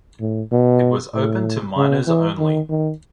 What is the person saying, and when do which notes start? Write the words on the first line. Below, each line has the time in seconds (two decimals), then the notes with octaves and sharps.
It was open to miners only.
0.21 A2
0.52 B2
1.14 A2
1.77 C#3
2.07 E3
2.38 D#3
2.70 D#3